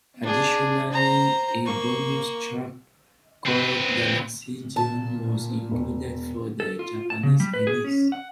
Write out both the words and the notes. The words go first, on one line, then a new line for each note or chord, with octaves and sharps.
Additionally, a bonus track called "Galaxidion" was included for the Japanese release.
D4 G#4
C5 A#5
A#3 C#6
C4 B4
A#2 A5
E1
A4
F4
A5
C#3
G3
B4
G#4
C#4
F#5